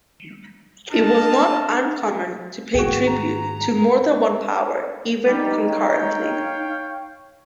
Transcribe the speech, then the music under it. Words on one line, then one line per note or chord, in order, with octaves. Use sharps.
It was not uncommon to pay tribute to more than one power even concurrently.
D4 D#5 A5 F6
G#2 D#3 F#4 G#4 G5
A#5
G3 D#4
C#5 F5 G5